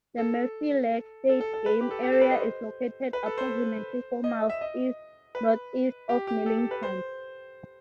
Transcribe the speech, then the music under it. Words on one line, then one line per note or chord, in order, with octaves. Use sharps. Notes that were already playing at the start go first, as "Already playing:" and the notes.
The Murphy Lake State Game Area is located approximately four miles east-northeast of Millington.
A4
A4
A4
A4
B4
G4
A4
G4
A4
B4
D#5
C5
B4
A4
C5
D#5
E5
D#5
B4
G4
G4
A4
A4
B4
C5